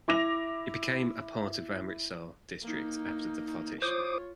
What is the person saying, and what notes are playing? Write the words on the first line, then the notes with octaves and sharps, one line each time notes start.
It became a part of Amritsar district after the partition.
E4 D6 A#6 F7
A#3 D#4
F4 C5 C#5 D6 D#6